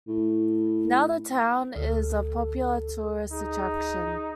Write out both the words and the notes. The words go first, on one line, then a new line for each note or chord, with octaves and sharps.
Now the town is a popular tourist attraction.
A2
D2 A4
D#4 G#4